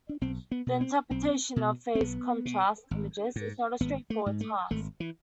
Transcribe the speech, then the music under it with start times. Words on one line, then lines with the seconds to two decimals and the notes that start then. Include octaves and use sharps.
The interpretation of phase-contrast images is not a straightforward task.
0.09 D4
0.21 B1 C4
0.51 B3
0.67 B2
0.81 C4
1.10 B1 C4
1.56 B2
1.95 C4
2.01 B1 B3
2.45 B2
2.91 G#1
3.36 G#2
3.80 G#1 B3
4.10 A3
4.26 G#2
4.41 A3
4.71 G#1 A3
5.00 E3